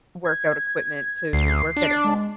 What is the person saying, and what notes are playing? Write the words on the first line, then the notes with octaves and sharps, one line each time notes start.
workout equipment to work at home
G#6
D2 C7
D4
G#3